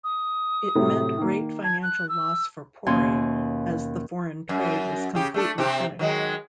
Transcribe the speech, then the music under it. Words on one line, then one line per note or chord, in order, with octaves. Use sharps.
It meant great financial loss for Pori as the foreign trade was completely finished.
D#6
A2 C3 F#3
D#3 A#3
A5 G#6
F#6
E6
D#2 B2 C#4 E5 G#5 C6
F#2
C#3 G4
A3 D4 A4
C3 C4 G4
D#3 F#3 G#3